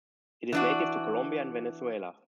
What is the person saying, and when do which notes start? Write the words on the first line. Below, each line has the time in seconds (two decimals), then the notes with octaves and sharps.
It is native to Colombia and Venezuela.
0.52 E3 D4 F#4